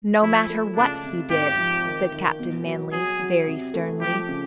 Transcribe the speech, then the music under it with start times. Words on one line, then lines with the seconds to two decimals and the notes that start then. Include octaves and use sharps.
"No matter what he did," said Captain Manly, very sternly.
0.22 F3 E4
0.50 A3
0.76 C#2 D4
1.04 C3
1.30 G#1 G4
1.58 F3
1.85 D#3
2.12 D#3
2.39 B2
2.65 F#3
2.92 F#3 G#4
3.19 F#3
3.47 C3
3.74 A3
4.01 F3 G4
4.29 C#3